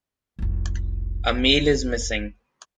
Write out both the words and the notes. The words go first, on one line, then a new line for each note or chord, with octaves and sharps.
A meal is missing.
F1 C2